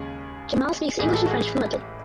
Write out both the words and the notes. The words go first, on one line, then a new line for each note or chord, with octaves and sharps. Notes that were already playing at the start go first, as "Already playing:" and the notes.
Jamal speaks English and French fluently.
Already playing: D#2 C#3 G#3 G#4
A1 A2 E3 G#3 G#4
A4
F#4
G#4